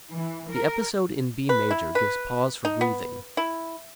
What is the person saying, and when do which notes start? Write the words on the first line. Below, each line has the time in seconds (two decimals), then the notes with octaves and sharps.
The episode in B major gives pause for breathing.
0.12 E3
0.50 A#4
1.49 B4
1.71 E4
1.95 B4
2.65 D#4
2.81 B3
3.37 E4